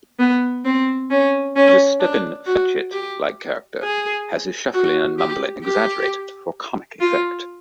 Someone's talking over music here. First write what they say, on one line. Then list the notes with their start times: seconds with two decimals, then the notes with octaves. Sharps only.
The Stepin Fetchit-like character has his shuffling and mumbling exaggerated for comic effect.
0.19 B3
0.65 C4
1.10 C#4
1.56 C#4
2.01 D4
2.46 F#4
2.92 G4
3.83 G#4
4.74 F#4
5.19 G4
5.64 G4
7.00 F4